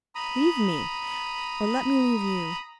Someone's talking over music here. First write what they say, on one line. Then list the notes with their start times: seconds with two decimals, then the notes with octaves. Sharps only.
Leave me! or let me leave you.
0.15 A#5 B5 D#6